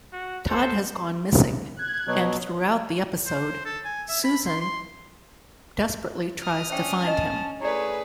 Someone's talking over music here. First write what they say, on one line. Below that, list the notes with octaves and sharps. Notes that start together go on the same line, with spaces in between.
Todd has gone missing, and throughout the episode, Susan desperately tries to find him.
F#4
A4 C5
F#6 G#6
B2 F#3
C5
A4
G#5
E5
B5
C6
C6
D#6 F6
C#4 D4 C5 E5 G5
D4 D#5 A5
A3 E4 G#4 B4 C#5 D5